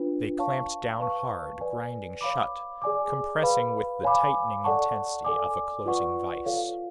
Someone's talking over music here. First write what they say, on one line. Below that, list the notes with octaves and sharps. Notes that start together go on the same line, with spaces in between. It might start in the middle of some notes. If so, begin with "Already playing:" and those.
They clamped down hard, grinding shut, compressing with the tightening intensity of a closing vise.
Already playing: D4 F4 B4
C#5 F5 A5 C#6
B4 F5 A5 C#6
B4 D5 G#5
C#5 F5 B5 D6
G#4 D5 G#5 D6
B4 F5 B5
C#5 F5 G#5 B5 D6
A4 D5 F#5 A5 C#6
A4 D5 G#5 D6
F4 B4 D5 F#5 C#6
F4 A4 C#5 F5